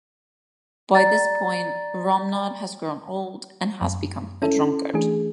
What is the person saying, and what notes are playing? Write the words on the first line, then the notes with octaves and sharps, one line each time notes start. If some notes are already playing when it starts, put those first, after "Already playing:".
By this point, Romnod has grown old and has become a drunkard.
D5 A#5 A6
F#2
C#4 E4 A4
E3 A3 D4 G#4